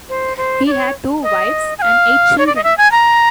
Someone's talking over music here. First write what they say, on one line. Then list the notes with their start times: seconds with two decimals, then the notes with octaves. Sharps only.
He had two wives and eight children.
0.09 C5
0.37 C5
0.67 D5
0.71 C#5
1.23 D#5
1.78 G#5
1.82 F5
2.38 C#5
2.47 D5
2.55 D#5
2.64 E5
2.78 G#5
2.92 A#5